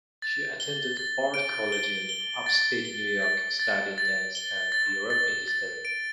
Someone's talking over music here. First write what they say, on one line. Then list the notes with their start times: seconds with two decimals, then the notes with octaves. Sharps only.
She attended Bard College in upstate New York, studying Dance and European History.
0.22 A6
0.60 G7
0.97 A6
1.34 D7
1.72 G7
2.09 G7
2.46 A6
2.85 G7
3.22 A6
3.59 A6
3.98 A6
4.35 G7
4.72 A6
5.10 A6
5.48 A6
5.85 D7